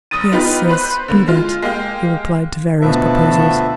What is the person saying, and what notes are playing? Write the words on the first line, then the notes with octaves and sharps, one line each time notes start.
"Yes, yes, do that," he replied to various proposals.
F#1 D#6 A6 D#7
B3 D#4 F4 G4 B4
B4 C5 B5 F#6
D3 A#3
G#3 F4
G#3 A#3 G4 F5 G5
D2 B2 F3 F4 F#4 B4 E5 A5